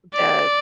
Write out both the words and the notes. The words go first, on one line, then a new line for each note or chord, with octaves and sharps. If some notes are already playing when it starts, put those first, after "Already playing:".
It does.
D5